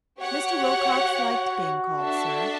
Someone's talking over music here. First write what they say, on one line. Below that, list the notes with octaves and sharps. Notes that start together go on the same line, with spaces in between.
Mr. Wilcox liked being called sir.
F#4 G4 C#5 F#5
D4 A4 E5 A5